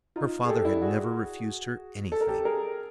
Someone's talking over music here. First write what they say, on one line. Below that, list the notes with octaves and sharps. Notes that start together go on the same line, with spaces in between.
Her father had never refused her anything.
D#4 F4
G#4
G4 A4
D4 E4
F#4 G#4
A4
A#4
G4 A4
G#4 A#4